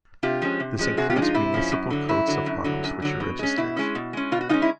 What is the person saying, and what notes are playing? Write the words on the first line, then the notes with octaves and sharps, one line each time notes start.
This includes municipal coats of arms which are registered.
C3 F4 G4
F3 G#3 C#4
C3
F3 G#3 C#4
C3 F#4 G#4
F4 G4
F3 G#3 C#4
D#4 F4
C3 E4
F3 G#3 C#4
F#2
D3 F#3
F#2 E4
D3 F#3
F#2
D3 F#3
F#2
D3 F#3
B2
G#3 C#4
B2 E4
G#3 C#4
B2
G#3 C#4
B2 F4
F#4
G#3 C#4 D#4 F4
E4